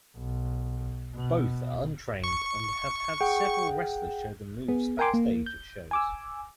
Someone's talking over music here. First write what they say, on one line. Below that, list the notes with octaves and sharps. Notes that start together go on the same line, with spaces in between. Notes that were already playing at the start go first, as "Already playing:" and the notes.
Both are untrained and have had several wrestlers show them moves backstage at shows.
B1
B2
C#6
G#4 F#5 G5
B3 G#4
A#4 G5 G#5 C6 D6
A#3
G6
G#5 D6 E6